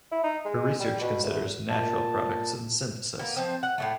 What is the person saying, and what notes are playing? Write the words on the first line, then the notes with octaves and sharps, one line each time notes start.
Her research considers natural products and synthesis.
E4
D#4
G#3
G3
B2
E2
A#2 A5
A#3 B3
F3 C4
F#5
A2 C#3 A3